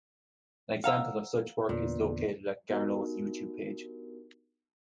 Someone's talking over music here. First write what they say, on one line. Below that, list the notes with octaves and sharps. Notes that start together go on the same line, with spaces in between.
An example of such work is located at Garneau's YouTube page.
F5 F#5 A#5 E6
E2 A#2 D3 B3
B3 D4 D#4 F#4 G4 A#4